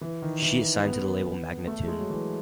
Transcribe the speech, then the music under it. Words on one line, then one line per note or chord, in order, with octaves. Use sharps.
She is signed to the label Magnatune.
E3
D#3
E3
B3
A3
G#3
F#3
E3